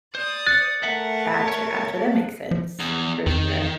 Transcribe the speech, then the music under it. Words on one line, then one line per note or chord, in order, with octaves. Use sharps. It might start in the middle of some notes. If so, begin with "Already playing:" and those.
Gotcha, gotcha, that makes sense, for sure.
C5 D5 D#6
F#6 A6 C#7
A3 A#4 E5 F#5 A5
C#5
F3
E2
F2 D#3